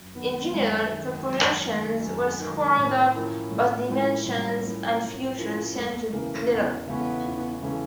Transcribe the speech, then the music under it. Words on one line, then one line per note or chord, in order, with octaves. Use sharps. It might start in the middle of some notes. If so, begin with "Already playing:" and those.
In general, proportions were squared up but dimensions and features changed little.
Already playing: F#2
D#3 B3
G#3
F#2 G#3
D#3 G#3
F#2
D#3 G#3
F#2 A3
D#3 G#3
A2 A#3
F3 A#3 C#4 E4
A2 A3
F3 G#3 A#3 C#4 E4
A2 G3
F3 A#3 C#4 E4
A2
F3 A#3 C#4 E4
E2 A3
C#3 E3 A3 A#3 C#4
E2 B3
C#3 E3 A3 B3 C#4
E2
C#3 E3 A3 C#4